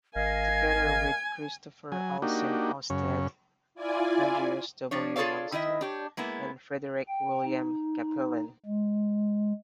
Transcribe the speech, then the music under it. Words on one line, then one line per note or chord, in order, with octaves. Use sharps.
Together with Kristoffer Olsen Oustad, Andreas W. Munster and Frederick William Cappelen.
G#1 A#4 D#5 F5 G#5 G#6
F#3 G#5
A#3 D4 D#4 F#4 G4
F#2 C#3 C#4
E4 F4 D5 G#5
F3 D4 C#5
F4 G#4 A4 C#5 D5 F5
D#3 E4 D#5 E5
D4 G4 C#5
G#3 A#3 B3 E4
G5
D#4
G#3